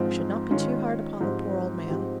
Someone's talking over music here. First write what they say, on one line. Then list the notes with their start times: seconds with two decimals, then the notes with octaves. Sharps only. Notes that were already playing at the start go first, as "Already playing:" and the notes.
We should not be too hard upon the poor old man.
Already playing: G#2 F3 G#3 C4 F4
0.51 D#3 G#3 C#4 F4
1.21 G#2 F3 C4 G4
1.89 G#2 F3 C4 G4